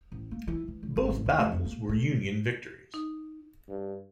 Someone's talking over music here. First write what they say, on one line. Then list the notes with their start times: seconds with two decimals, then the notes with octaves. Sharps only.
Both battles were Union victories.
0.12 A1
0.31 A#3
0.48 E3
0.68 E3
0.83 A1
0.96 G#1
1.10 A1
1.26 D#2
1.38 A3
1.52 F2
1.65 A#3
1.89 A3
2.94 D#4
3.69 G2